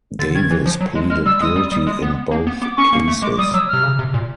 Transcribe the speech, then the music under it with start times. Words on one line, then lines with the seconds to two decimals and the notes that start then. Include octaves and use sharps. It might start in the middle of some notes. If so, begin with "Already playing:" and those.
Davis pleaded guilty in both cases.
0.19 D3 A6
0.35 D#3 G#6
0.50 E3
0.66 F3
0.81 F#3
0.95 G#3
1.10 G#3 F6
1.26 G3 E6
1.41 G#3 D#6
1.56 G3
1.72 G3
1.87 G#3
2.02 B3
2.31 A#3
2.47 B3
2.62 B3 D6
2.77 C#4 C#6
2.93 A#3
3.08 A3
3.22 G#3 D6
3.38 G3 D#6
3.53 F#3 E6
3.69 C3 F6
3.83 C#3
3.99 C3
4.14 A#2